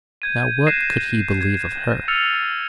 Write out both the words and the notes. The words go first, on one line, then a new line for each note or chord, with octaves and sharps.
Now, what could he believe of her?
G6 G#6 D#7
F#6 G#6 A#6 C7 D#7 E7
G#6
E6 F6 A6 C#7 D#7 F7